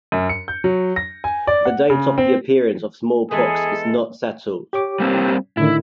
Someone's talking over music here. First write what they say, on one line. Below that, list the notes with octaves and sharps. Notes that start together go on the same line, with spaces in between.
The date of the appearance of smallpox is not settled.
F#2
C#7
G6
F#3
A#6
G#5
D5
F#5
C#3
C4
E3 G#3 B3 G#4 A4
G4 C#5 D6
G3 A#3 C4
A2 D3 D#3 E4